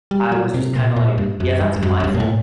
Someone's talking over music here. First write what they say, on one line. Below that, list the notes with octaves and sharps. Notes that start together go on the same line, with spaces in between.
I was just kinda like, "Yeah, that's my fault."
G3
F#3
C3
A#2
A#2
G2
F#2
G2
G2
F#2
F#2
G2
A#2
A2